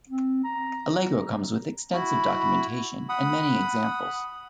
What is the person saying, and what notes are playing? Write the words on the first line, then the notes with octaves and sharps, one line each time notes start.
Allegro comes with extensive documentation and many examples.
C4
A#5
E4 F#4 B5
F#5 B5 D#6